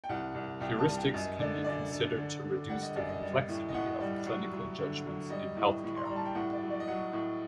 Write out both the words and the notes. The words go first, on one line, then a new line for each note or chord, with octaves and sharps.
Heuristics can be considered to reduce the complexity of clinical judgements in healthcare.
G5
C2 F#5
C2
C2 G5
A5
G3
G5
F#2 D#5
D3 D5
F#2 D5
D3
D3
D3
G3 F#5
D#5
F#2 D5
D#5
G3
A2
D#5
A2 F#5
G3
F#3 F#5
F#3
D3
F#3
G3 D#5
A2
A2
C6
G3 A#5
A5
G5
A2 F#5
D5
F#3
D5
D#5
F#3 F#5
A2